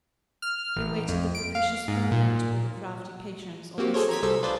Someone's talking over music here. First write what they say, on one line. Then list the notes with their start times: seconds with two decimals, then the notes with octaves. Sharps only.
He awaited the propitious moment with the crafty patience of the sick.
0.42 F6
0.76 A1
1.09 F2
1.35 D7
1.55 F5
1.88 G#2
2.11 A#2
3.78 A#3 C4 F#4 G4
3.94 G#4 A4 C5 C#5
4.09 A#5 G#6 B6
4.22 C2 G3 G#4 A4 C5 E6
4.43 D4 F4 B4 C5 D5